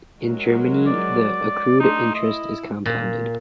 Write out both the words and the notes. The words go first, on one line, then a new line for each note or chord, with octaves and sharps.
In Germany, the accrued interest is compounded.
F#3 G#3 A#4
D5
A3 D4 D#4 C6
E4 D#5
A#2